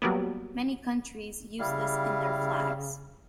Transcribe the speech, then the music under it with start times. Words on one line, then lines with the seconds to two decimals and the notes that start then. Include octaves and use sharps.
Many countries use this in their flags.
0.02 F#3 G3 A#3 B3
1.59 C#3 G3 E4 F5